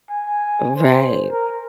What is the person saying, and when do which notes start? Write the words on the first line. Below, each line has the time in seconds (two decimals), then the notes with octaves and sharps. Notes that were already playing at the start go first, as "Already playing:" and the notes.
Oh, right.
0.10 G#5
0.76 C5
1.30 A#4